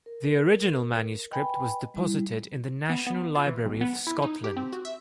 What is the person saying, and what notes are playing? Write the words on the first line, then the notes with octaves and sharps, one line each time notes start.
The original manuscript was deposited in the National Library of Scotland.
A#4
B4 D#5 G5 G#5 B5
G3 E4
B3
B3
F4
E3
B1
B3
E4
D#4
G4
C4
F#4
E5